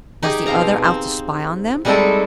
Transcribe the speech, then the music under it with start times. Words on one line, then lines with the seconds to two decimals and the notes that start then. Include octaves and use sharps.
Was the other out to spy on them?
0.23 D#4 G4 G#4
0.46 B2 C4 F5 A#5
0.84 C4
1.85 G3 G#3 C4 D#4 E4 A4